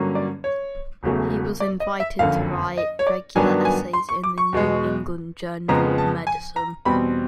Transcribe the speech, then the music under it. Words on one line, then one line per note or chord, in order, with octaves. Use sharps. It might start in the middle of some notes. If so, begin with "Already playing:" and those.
He was invited to write regular essays in the "New England Journal of Medicine".
Already playing: G2 D3 F#3 A#3 C#4
D5
C#5
E1 E2 C#3 F#3 A3
D5
D#5
E5
F#1 F2 D3 F5
D#5
C#5
D5
G2 D#3 F#3 B3 D4 G#5
G#5
C6
C#6
D6
C#6
E2 B2 G#3
F2 C#3 F3 G#3 B3 A#5
A5
G#5
A#5
E2 B2 G3 C4 B5